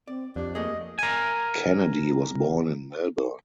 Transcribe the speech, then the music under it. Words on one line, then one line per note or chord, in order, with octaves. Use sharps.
Kennedy was born in Melbourne.
C4 D5
F2 D4 G4
A3 A#3 G#4 D#5
A#4 G#5